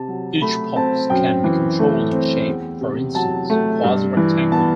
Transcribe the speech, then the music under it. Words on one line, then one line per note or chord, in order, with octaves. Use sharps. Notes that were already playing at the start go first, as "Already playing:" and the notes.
Each pulse can be controlled in shape, for instance, quasi-rectangular.
Already playing: C3 A5
F#3
A3 B5
C4 A5
F#2 G5
E3
A3
C4
E2
C3
F#3 A5
A3
G2
E3
B3 A5